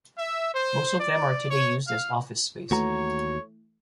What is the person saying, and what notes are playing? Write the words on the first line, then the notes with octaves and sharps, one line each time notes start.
Most of them are today used as office space.
E5
C5
D5
C#5
F5
D#2 E3 A3 F#4 C#5 A#5